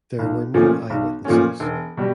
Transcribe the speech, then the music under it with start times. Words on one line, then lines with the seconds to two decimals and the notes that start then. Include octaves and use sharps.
There were no eyewitnesses.
0.19 B1
0.54 A#2 F3 A3 C#4
0.90 B1
1.25 A#2 F3 A3 C#4
1.60 E1
1.97 B2 G3